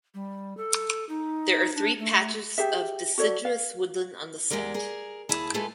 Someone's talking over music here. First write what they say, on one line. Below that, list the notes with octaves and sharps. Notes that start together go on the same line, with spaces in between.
There are three patches of deciduous woodland on the site.
G3
A4
D#4
D4
A3
G4 G#4 E5
F#4 A4 C#5 D5
F5
E2 G#3 G4 A#4 D5
G#4 A#4
D#2 E4 G#4 A5
G#3 A3 F4 G#4 A4 B4